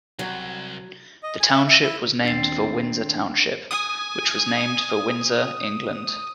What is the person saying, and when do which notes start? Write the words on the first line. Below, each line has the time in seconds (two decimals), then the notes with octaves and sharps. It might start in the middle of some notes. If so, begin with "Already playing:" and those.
The township was named for Windsor Township, which was named for Windsor, England.
0.19 C2 F#3
1.23 D#5
1.40 G#5
1.52 E5
1.67 E5
1.83 E4
2.25 D#2 D#3 C4 D4 A6 C7
3.71 G#5 D#6